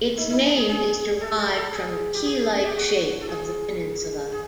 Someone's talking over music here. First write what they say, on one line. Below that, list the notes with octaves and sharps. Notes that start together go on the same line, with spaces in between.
Its name is derived from the key-like shape of the peninsula.
D#4
D#4
D4
G#4
G#4
A4
A4
A4
G#4
G4
G#4
G4
F#4
A4
G#4
G#4